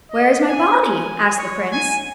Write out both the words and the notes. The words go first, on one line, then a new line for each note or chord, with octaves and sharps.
"Where is my body?" asked the Prince.
D#5
G#5
G#5
C#5
G#5